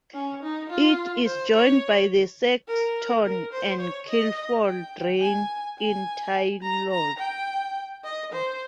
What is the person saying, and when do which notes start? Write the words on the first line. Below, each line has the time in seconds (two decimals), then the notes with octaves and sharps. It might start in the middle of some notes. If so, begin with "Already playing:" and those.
It is joined by the Sexton and Kilfoil Drain in Taylor.
0.14 C#4
0.43 D#4
0.70 F4
1.26 C5
1.55 C#5
2.68 A#4
3.25 A#4
3.53 C5
3.80 C#5
4.08 D#5
4.65 G5
5.21 G#5
5.78 G#5
6.63 A#5
6.91 A#5
7.18 G5
8.04 D#5
8.32 C5